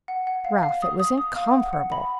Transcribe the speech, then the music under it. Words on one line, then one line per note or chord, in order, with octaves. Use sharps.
"Ralph, it was incomparable!"
F#5
F#5
F5
F5
D#6
D#6
D#6
F5
F#5
F#5
B5